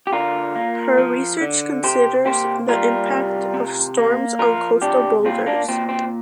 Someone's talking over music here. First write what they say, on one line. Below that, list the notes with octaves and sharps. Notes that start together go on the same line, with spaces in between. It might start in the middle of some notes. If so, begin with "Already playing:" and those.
Her research considers the impact of storms on coastal boulders.
G4
D3 F4 A#4
A#3
F3
D3
C3 G4 C5
A#3 G4 C5
G3 F4 A#4
C3
C3
A#3
F3 F4 A#4
C3 D4 G4
A#2 C4 F4
A#3 D4
A#2 C4
C4